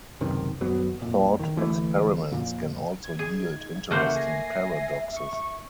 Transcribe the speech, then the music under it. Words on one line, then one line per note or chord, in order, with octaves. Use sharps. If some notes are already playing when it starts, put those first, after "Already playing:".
Thought experiments can also yield interesting paradoxes.
C#2 F#2 C3 D#3
D#1 F#2 F#3 B3
F2 A#2
D#3
D2 E3 A3
F2 A#2
G#6
G#4 D5
D#4
E2 C#3 A3 A#3 C5 E5 F#5
G#5 A#6 C7
C#6